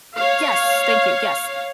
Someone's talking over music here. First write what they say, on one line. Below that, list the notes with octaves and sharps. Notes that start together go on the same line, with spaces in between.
Yes, thank you, yes,
C#5 F5